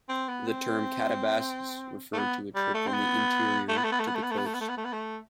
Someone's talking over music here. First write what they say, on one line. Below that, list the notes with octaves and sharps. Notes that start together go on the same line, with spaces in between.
The term "katabasis" referred to a trip from the interior to the coast.
C4
B3
C4
A3
B3
G3
A3
C4
B3
A3
B3
A3
B3
A3
B3
A3
B3
A3
B3
A3
B3
A3
B3
A3
B3
A3